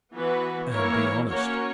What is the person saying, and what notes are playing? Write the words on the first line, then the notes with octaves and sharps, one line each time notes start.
Man, be honest.
E3 B3 F#4 B4
E3 A#3 E4 A#4 C#5
A#3 C#4 F#4 A#4 C#5